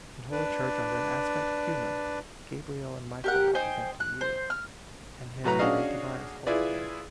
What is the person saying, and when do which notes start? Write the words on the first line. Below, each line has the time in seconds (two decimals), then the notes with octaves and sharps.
And Holy Church under an aspect human Gabriel and Michael represent to you, And him who made Tobias whole again.
0.32 D4 B4 D5
3.24 G4 A#4 F#5
3.55 D#4 C5 G5 G#5
4.00 F#6
4.21 C5
4.50 F6
5.44 A2 F#3 B4 A#5
5.59 C#4 D4 F#4 G#4 D#5 F5
6.47 E4 F4 G#4 B4 D5